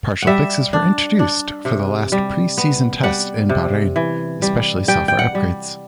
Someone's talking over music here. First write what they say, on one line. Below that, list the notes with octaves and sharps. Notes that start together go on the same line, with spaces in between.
Partial fixes were introduced for the last pre-season tests in Bahrain, especially software upgrades.
G3 E5 F#5
D4
D4
C3
G3
B3
G3 F#5
C3
E3
G3
G3 G5
G5
F#5
G3